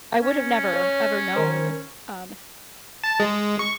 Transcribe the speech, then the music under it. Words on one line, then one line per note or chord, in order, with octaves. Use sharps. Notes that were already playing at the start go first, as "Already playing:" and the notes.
I would have never ever known, um, ha
C#4
C#5
D#3 A#4 C5
A5
G#3
C#6